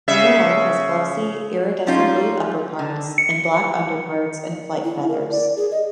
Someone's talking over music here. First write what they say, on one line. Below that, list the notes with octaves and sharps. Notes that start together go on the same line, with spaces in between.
The male has glossy, iridescent blue upperparts, and black underparts and flight feathers.
C#3 E5
F3 G3 C#4 D#4 F4
D3
C#7
E4
A#4
D5
G#4
D#5